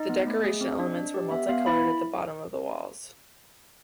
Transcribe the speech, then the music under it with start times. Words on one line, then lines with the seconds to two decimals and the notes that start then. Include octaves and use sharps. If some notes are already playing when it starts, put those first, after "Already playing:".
The decoration elements were multicoloured at the bottom of the walls.
Already playing: D#4 D#5
0.09 B3
0.27 A3
0.44 G#4
0.61 C4
0.80 D4
0.96 D4
1.14 G4
1.31 B3 E5
1.49 B3 F5
1.66 E4 B5